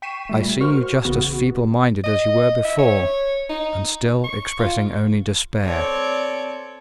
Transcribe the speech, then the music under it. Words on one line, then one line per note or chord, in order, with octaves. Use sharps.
"I see you just as feeble-minded as you were before, and still expressing only despair!"
G5 C#6 B6 C7 D#7 E7
A#2 G3 A3
F#4 A#4 C5 C#6 F6
A1 C#3 B3 F#4
D#5
E5
C#5
D#4
C#6
F4
C4 A4 C#5 D5